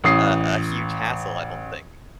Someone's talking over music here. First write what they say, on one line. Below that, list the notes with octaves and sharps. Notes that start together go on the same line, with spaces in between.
a a huge hassle, I don't think.
A1 E3 D#6 C7